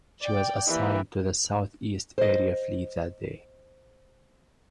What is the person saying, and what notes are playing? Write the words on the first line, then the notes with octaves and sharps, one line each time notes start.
She was assigned to the Southeast Area Fleet that day.
D5 G5
E3 A#3 G4
C5 D#5